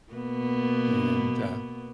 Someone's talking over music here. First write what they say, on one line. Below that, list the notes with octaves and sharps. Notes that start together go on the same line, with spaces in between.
and, uh,
B2 A#3 B3